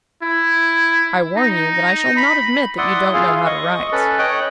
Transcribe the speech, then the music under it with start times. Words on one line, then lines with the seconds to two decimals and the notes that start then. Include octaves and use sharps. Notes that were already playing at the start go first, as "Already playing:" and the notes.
"I warn you that I shall not admit that you don't know how to write."
0.23 E4
1.37 D#4
2.17 B5
2.78 E4 D5 F#5 C6 D#6
3.13 E4 F4 G#4 F5
3.46 D#5 C#6
3.92 C#4 A4 B4
4.19 C#5 D#5 G5 F#6